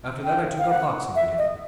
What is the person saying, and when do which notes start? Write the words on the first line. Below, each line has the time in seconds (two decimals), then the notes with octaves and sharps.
After that I took up boxing again.
0.24 G5
0.58 F5
0.70 F#5
1.15 E5
1.38 D#5